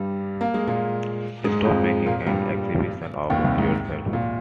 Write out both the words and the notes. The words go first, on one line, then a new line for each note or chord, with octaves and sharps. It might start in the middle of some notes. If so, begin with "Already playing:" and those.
Stop making an exhibition of yourself!
Already playing: G2 G3
A#3
G#3
A#2 A#3
G#2 G#3
F2 F3
A#2 A#3
G2 G3
D#2 D#3
C2 C3
G#2
A#2